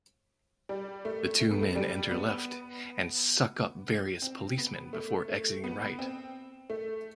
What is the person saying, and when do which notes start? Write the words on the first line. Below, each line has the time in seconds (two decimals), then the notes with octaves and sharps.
The two men enter left and suck up various policemen before exiting right.
0.69 G3
1.05 A3
1.40 A3
1.51 B3
1.61 A3
1.75 G3
2.11 B3
4.22 C4
4.58 B3
4.93 A3
5.28 A3
5.64 B3
5.99 C4
6.70 A3